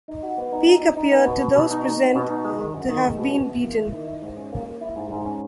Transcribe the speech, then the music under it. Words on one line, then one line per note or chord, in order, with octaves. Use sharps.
Peak appeared to those present to have been beaten.
D#4
F#4
B3
D#4
D#4
D#4
D#4
B3
B2
B2
B2
D#4
D#4
F#4
B2
D#4
G#3
D#3
F#2
D#3
G#3
B2
B2
E2
A#3
E4
D#3
E4
G#2
C#4
A#3
A#3
E4
G#2
G#2
C#4